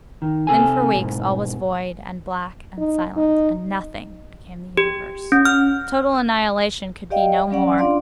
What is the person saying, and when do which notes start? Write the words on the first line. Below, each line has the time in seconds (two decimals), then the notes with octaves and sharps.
Then, for weeks, all was void, and black, and silent, and Nothing became the universe. Total annihilation could be no more.
0.22 D#3
0.47 C3 A4 G#5
0.95 G#2 B2
2.78 D#4
3.17 D#4
4.77 G4
5.32 C#4
5.45 F6
7.10 G4 D5 D#5 F5 G5
7.50 F#3 C#4 D5 F#5
7.78 D4 F4 D5 F5 C6